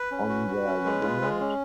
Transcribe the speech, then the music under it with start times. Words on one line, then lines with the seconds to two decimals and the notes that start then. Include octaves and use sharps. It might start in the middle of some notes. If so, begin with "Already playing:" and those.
On their wedding night?
Already playing: B4
0.11 C#4
0.29 F#4
0.48 F#4
0.66 C#4
0.86 G#3
1.03 F4
1.22 G#3
1.40 C#4